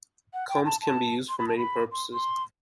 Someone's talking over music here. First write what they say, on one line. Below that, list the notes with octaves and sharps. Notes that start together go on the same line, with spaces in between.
Combs can be used for many purposes.
F#5
G5
A5
A5
C6
B5
A5
B5
C6
C6